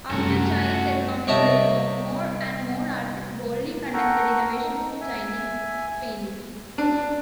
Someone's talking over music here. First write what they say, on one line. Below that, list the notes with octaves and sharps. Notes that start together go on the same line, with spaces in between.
After Chinese economic reform, more and more artists boldly conducted innovations in Chinese Painting.
F#2 C3 G3 A3 C#4 F#4 A4 A#5
C2 C4 C#5 D#5 E5 A5
A4 A#4 F#5 G5 A#5 C#6
D#4
E5 G#5
D4